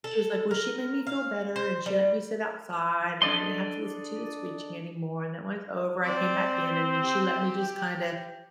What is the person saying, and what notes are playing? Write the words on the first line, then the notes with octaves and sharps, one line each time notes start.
she was like, "Well, she made me feel better, and she let me sit outside, and I didn't have to listen to the screeching anymore and then when it's over I came back in and then she let me just kinda,
A4
A#4
F5
C5
G3
D4 A4 D5 D#5 C6
C4 D5
G4